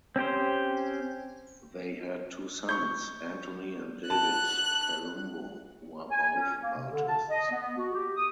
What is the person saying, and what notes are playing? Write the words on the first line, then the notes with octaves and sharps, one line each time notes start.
They had two sons, Anthony and David Palumbo, who are both artists.
C4 C#4 G4 C5
C#6 G6
F#4 A5 F#6
G#5
C#4
A#3
C3
D3
A5
D#5
B3
F#4
G4
D#6